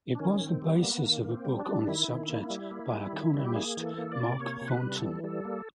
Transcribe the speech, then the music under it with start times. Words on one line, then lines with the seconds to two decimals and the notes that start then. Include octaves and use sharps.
It was the basis of a book on the subject by economist Mark Thornton.
0.15 D4
0.19 D#3 C#4
0.41 D#3
0.47 C4
0.62 G3
0.76 B3
0.82 A#3
1.03 D#3 A#3
1.24 A#3
1.31 C4
1.45 G3
1.60 D4
1.66 G3
1.87 D#3 E4
2.08 D#3
2.29 A#3
2.50 G3
2.71 A#3
2.93 G3
3.13 D#3
3.34 G3
3.45 G4
3.56 A#3 G#4
3.77 E3
3.83 A4
3.98 A#3
4.12 D5
4.19 C3
4.39 A#3 C#5
4.61 C3
4.68 B4
4.82 G3
4.95 A4
5.02 E3
5.24 G3 A4
5.45 A#3